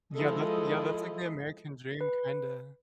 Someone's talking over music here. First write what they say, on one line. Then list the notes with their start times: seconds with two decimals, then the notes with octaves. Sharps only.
Yeah, that's yeah, that's, like, the American dream kinda.
0.15 F3 G#3 E4 A4 D#5
2.01 B4